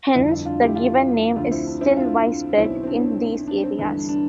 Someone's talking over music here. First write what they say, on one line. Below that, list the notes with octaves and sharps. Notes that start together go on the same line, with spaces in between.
Hence the given name is still widespread in these areas.
G1 F2 D3 C4 E4
D4
D4 F4
E4 G4
D4 F4
D2 D3 F3 D4 F4
C4 E4
D4
C4 E4
D4 F4
B1 B2 C4 E4
C4
D4
D4
C4
G1 G2 E3 D4
D4